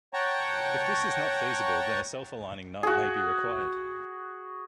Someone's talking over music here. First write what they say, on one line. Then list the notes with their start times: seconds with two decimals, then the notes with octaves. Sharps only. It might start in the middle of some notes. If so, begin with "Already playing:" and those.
If this is not feasible then a self-aligning nut may be required.
0.14 C#5 F#5 G5 A5 A#5 C#6
2.83 F#4 G#4